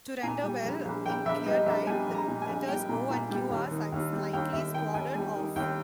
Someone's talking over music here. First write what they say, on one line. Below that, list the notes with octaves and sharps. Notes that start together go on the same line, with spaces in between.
To render well in ClearType, the letters "O" and "Q" are slightly squared-off.
A#2 G#5
G3
A#1
A#1
A#1 G5
A#1 E5
G3 D#5
A#1 E5
G3 G#5
A#1
A#5
A#2
G#5
A#1
G3 G5
A#2
A#2
G3
D#2
D#3
D#2
G3
D#2 G5
D#2 E5
D#3 G5
D#2 G#5
G3 G#5
D#3
D#2 G5